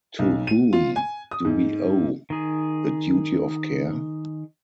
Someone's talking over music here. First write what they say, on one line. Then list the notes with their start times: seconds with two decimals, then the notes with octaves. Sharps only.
To whom do we owe a duty of care?
0.19 B1
0.47 D#7
0.73 F4
0.96 G#5
1.31 D#6
1.45 G#2
2.30 D#3 G#4